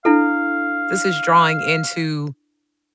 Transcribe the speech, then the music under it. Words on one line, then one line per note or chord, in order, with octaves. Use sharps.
this is drawing into
D4 E4 A4 F5